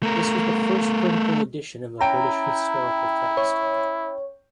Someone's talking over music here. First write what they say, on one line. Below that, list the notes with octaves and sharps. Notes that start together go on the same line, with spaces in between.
This was the first critical edition of a British historical text.
A3 A#4
C#4 E4 G5 A#5 D7
C#5